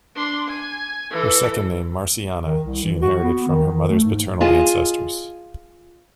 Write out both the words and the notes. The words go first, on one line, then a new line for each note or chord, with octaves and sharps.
Her second name "Marciana" she inherited from her mother's paternal ancestors.
D4 C6
G#5
E3 A4
D#3
C2
E3
F#4
B3
D#3
D#3
A3
G#2
F4 G#4 D#5 A5